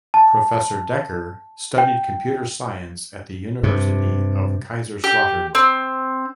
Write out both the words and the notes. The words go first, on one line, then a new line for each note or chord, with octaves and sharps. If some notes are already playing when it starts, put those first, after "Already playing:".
Professor Decker studied Computer Science at the University of Kaiserslautern.
A5
G5
G2 C3
G4
C4